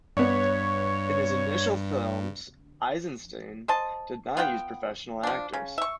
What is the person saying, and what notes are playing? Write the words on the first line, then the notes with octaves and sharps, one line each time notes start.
In his initial films, Eisenstein did not use professional actors.
G2 B3 C#5 D5
C5 D#5 A5
B3 F4 F#5 G5
F3 D4
C#3
E5 C#6